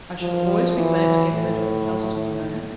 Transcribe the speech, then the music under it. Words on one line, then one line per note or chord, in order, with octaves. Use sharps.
I shall always be glad to get a letter from Helstone, you know.
F3
E3
A2